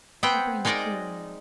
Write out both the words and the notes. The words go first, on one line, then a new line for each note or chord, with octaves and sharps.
My brain is clearer now.
B3 C4 F#5 G5
G#3 D#4 A#4 D5